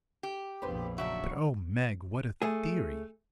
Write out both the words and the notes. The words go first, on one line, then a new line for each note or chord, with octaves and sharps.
"But oh, Meg, what a theory!"
G4
A#1 F2 B3 D4 C5
C#3 F#3 D4 F#4 E5
A3 G#4